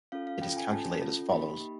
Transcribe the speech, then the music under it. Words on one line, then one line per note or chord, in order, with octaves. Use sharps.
It is calculated as follows.
C#4 F4 A4 F5
F5
C#4 F4 A4 G5
G#5
C#4 F4 A4 A5
C#4 F4 A4
A#3 D#4 G4 B5
A#3 D#4 G4